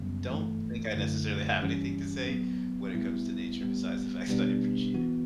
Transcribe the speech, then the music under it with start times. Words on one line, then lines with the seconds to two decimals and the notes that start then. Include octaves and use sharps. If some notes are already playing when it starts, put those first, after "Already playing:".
don't think I necessarily have anything to say when it comes to nature besides the fact that I appreciate it.
Already playing: F#2 C#3 G3 B3
0.28 G2 E3 A3
0.95 F#2 D3 A3 E4
1.61 G2 E3 G3 C#4
2.27 A2 F#3 B3
2.95 A2 G3 B3 E4
3.61 A2 G3 B3
4.27 B2 G3 B3 D4
4.94 E3 B3 F#4